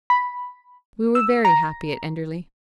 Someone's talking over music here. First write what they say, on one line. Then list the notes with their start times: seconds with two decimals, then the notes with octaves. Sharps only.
We were very happy at Enderley.
0.10 B5
1.15 E6
1.45 A#5